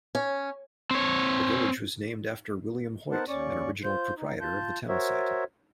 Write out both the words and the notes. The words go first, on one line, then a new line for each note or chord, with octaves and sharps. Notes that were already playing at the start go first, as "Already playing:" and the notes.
The village was named after William Hoyt, an original proprietor of the town site.
C#4
C4 C#5
B3 D#4 A#4 C5 F#5 A5
D#2 C#4 D5 C#6
F4 C5 G6
D#4
F4 A5 G6
F#4 A#4 C5 C#5 E5